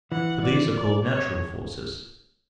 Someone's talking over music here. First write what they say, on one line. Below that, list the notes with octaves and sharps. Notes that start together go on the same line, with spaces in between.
For these are called "natural" forces.
E3 F#5
D5
D5
C#5